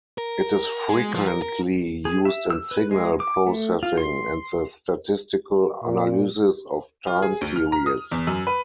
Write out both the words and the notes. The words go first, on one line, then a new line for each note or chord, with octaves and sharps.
It is frequently used in signal processing and the statistical analysis of time series.
A#4
G#3
F3
A#4
A#4
G#4
E5
E6
B4
G#3
D6
A3
F4
C6
A#2
F4
G#4
D2
F6
A#5
D#6
E2
F#2
B4